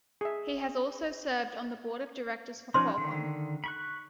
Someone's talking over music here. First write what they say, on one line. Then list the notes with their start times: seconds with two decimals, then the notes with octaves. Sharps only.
He has also served on the board of directors for Qualcomm.
0.21 G#4 E5
2.74 F3 C#4 D#4 C5 C6
2.98 D3 D#3
3.64 B5 C#6 F#6